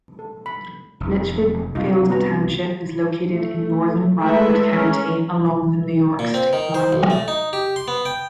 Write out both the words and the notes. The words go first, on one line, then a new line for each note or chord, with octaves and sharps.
Litchfield Township is located in northern Bradford County, along the New York state line.
A4
B5
F1
C2 G2 D#4 F4
B3 F#4 A#5
A3
G#3 A3 E4 A4 B4 E5
C#4 A#4
A#2
C4
D#3
C5
B1
A3
D#4
G4
C6
B3
G5